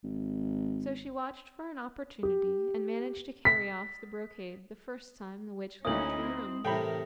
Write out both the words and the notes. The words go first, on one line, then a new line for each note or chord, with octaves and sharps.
So she watched for an opportunity and managed to carry off the brocade the first time the witch left her room.
G#1
G4
B6
D2 A#3 C#4 D#4 E4 D#6 F#7
C4
A2 C3 E3 G3 A#4 G5 B5